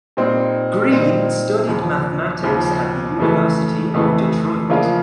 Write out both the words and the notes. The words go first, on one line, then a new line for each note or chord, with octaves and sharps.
Green studied mathematics at the University of Detroit.
A#2 G3 C4 D#4
A#2 G3 C4 D#4
D#2 C#3 F3
D#2 C#3 F3
F2 C#3 E3 A3
F2 C#3 E3 A3
C#3 F3 A#3 D4 F4